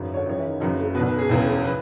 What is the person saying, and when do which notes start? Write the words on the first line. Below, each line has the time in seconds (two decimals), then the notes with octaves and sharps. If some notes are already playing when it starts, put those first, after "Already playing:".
Containment did not increase.
Already playing: G#1 F#2 C#3 E3
0.14 C#5
0.26 C#2 C#3 E3 C#5
0.60 F#1 F#2 C#3 E3
0.95 B2 B4
0.99 B1
1.06 B4
1.18 G#4
1.29 E1 E2 C#3 E3
1.64 E3 B4